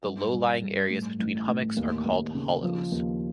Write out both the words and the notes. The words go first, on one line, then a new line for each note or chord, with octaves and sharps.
The low-lying areas between hummocks are called hollows.
G2
G2
G2
A2
A1
A2
D#2
D#2
C#3
F3
D#2